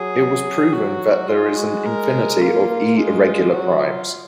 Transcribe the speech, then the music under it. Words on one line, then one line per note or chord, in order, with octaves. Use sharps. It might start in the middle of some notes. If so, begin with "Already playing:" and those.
It was proven that there is an infinity of E-irregular primes.
Already playing: F#3 G#4
F#3 F#4
G#3 F4
F#4
A#4
A#3 F4
G#3 F4
F#3 F#4
F4